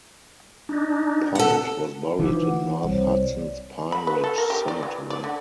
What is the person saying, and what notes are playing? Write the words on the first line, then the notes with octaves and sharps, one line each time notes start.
Pond was buried in North Hudson's Pine Ridge Cemetery.
D4 D#4
A4 F#5
E3 F3 D#4 B4 D6
F#5
C2 C5 C#5
D5
B5
B4
A4
A#4
G4
D5
E3
D5
D3